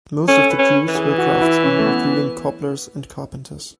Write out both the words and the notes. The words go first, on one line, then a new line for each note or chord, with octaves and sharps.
Most of the Jews were craftsmen, including cobblers and carpenters.
C#4 A4
B4
C#4
E3
G#4
F#4
E4
C#4
A3
B3